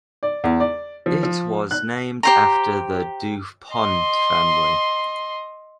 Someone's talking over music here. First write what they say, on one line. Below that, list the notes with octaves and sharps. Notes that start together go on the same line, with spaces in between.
It was named after the Du Pont family.
D5
E2
D5
F3
F3
F#6
G4 C5 A#5
D#5 C6